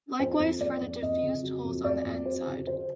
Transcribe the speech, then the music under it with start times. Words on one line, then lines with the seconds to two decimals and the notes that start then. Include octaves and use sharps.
Likewise for the diffused holes on the N-side.
0.19 F2 C5
0.40 F2
0.60 F2 D5
0.81 F2
1.02 F2 D#5
1.22 C#3
1.43 F#3
1.65 F2
1.84 F2 D5
2.05 F2
2.25 F#3 C5
2.47 C#3
2.67 C#3 C5